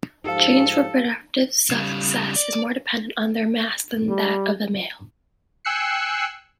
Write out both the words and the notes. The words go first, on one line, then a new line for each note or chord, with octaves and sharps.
Gynes' reproductive success is more dependent on their mass than that of a male.
G#2 F3 D#4 G4 A4 F5
C#3 G3
D5
G3
G5 G#5 E6 F#6 C7 C#7